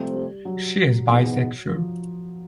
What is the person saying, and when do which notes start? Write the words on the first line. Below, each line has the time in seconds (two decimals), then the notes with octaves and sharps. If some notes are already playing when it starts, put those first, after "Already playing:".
She is bisexual.
Already playing: C3 F3 G3 A3 C4
0.14 G3
0.45 F#3
1.07 G#2 E3 G#3 B3
1.69 F3